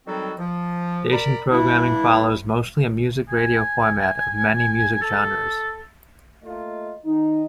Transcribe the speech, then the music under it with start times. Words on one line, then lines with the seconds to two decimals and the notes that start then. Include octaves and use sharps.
Station programming follows mostly a music radio format of many music genres.
0.06 D#3 F#3 G3 C4 F#4 A4
0.38 F3
1.11 A#4 D5 B5
1.51 E3 G3 A#3 D4 E4
3.30 G#5
5.01 A4
6.43 A3 A#3 F4 D#5
7.05 D#3 D#4